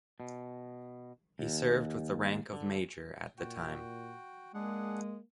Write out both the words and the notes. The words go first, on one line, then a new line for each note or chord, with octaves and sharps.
He served with the rank of Major at the time.
B2
D#2
D3
A#2 F#4 G5
G#3 A#3 D4 G#4 F#5